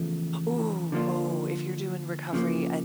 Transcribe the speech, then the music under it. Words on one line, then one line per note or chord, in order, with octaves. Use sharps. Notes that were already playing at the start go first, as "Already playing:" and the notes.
Ooh, oh, if you're doing recovery at
Already playing: E2 C#3 F3 A3
D3 F3 A#3 D4 F4
C#3 F3 A#3